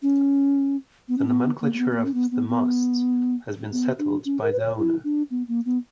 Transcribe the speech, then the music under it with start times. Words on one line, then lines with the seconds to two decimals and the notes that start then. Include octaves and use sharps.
The nomenclature of the masts has been settled by the owner.
0.02 C#4
1.08 B3
1.18 C#4
1.27 B3
1.61 A#3
1.73 A#3
1.78 B3
1.91 B3
1.96 A#3
2.05 C#4
2.14 B3
2.31 B3
2.48 B3
3.72 B3
3.99 D4
4.25 C#4
4.42 A#4
4.52 B4
4.60 C#5
4.77 E4
5.04 D4
5.30 B3
5.48 A#3
5.65 B3